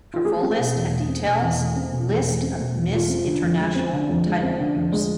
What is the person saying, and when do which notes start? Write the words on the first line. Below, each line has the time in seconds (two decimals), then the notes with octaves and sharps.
For full list and details List of Miss International titleholders.
0.14 F4
0.25 A3 G#4
0.42 C4
0.59 B2
0.75 E2
0.92 A3
1.09 C4
1.25 B2
1.42 E2
1.59 A3
1.76 C4
1.92 B2
2.09 E2
2.26 A3
2.42 C4
2.59 B2
2.76 E2
2.92 G#3 F4
3.09 C4
3.26 D3
3.42 F2
3.59 G#3
3.75 C4
3.93 D3
4.09 F2
4.26 G#3
4.43 C4
4.59 D3
4.76 F2
4.92 G#3